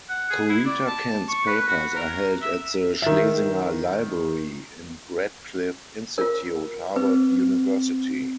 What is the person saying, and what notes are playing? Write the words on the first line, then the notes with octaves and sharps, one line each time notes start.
Corita Kent's papers are held at the Schlesinger Library, in Radcliffe Institute, Harvard University.
F#5
G#4
E4
D5
A5
C#6
B4
F#4
A#4
E5
D#3 E5
F4 A#4
C4 B4